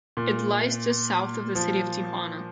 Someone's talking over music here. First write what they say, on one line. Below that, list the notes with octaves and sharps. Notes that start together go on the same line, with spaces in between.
It lies just south of the city of Tijuana.
A#2
F3